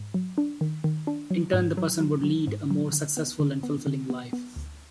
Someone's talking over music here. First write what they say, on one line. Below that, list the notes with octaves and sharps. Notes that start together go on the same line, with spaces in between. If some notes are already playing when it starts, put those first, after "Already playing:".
In turn, the person would lead a more successful and fulfilling life.
Already playing: G#2
F#3
D4
D#3
D#3
D4
F#3
G#2
F#3
F#3
F#3
G#2
F#3
D3
B3
D3
B3
D3
B3
B3
D2